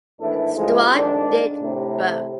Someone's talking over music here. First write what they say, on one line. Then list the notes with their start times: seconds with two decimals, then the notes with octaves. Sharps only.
Stroh did both.
0.20 G#1 A2 E3 D4 E4 A4
0.57 A2 C#3 F3 G3 G#3
0.94 F2 G#2 D#3 D4
1.62 A2 C3